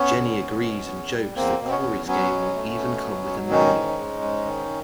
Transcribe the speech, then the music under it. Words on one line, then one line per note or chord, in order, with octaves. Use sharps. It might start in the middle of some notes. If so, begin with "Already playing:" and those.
Jenny agrees and jokes that Corey's game will even come with a manual.
Already playing: B3 C#4
D3
D#2
B2
E2
G3
E2 A#3 C4
B2
C4
B3 C#4
E2
F#3 B3 C#4
B2
A3
B2
F#3
B2
D#3 C#4 D#4
G#2
G#3
G#2
D#3